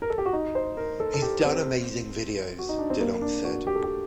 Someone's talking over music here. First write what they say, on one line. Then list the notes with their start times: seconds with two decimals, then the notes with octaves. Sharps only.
"He's done amazing videos," DeLonge said.
0.02 A#4
0.10 A4
0.18 G4
0.26 F#4
0.33 D#4
0.55 C5
0.77 A#4
1.00 A4
1.14 A4
1.22 G4
1.45 C4
2.59 F#4
2.69 D#4
2.78 D4
2.90 C4
3.01 A#3
3.22 D4
3.44 F#4
3.67 G4
3.75 A4
3.83 G4